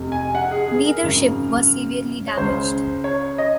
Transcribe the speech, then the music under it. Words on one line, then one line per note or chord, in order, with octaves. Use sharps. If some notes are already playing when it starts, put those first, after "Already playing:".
Neither ship was severely damaged.
Already playing: F1 F2 C3
G#5
F#5
G#4
G#4
A#4
G#1 F#2 C#3
C#5
C#2 C#3 C5
C#5
D#5